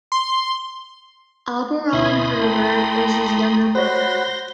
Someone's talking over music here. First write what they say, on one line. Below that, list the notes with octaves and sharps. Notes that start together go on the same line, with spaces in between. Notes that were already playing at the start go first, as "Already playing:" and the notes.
Auberon Herbert was his younger brother.
C6
D2 B2 E4 E5 B5 C6 D#6
A3 G5 A#5
F#4 C5 C#5 B5 C6 G6 A#6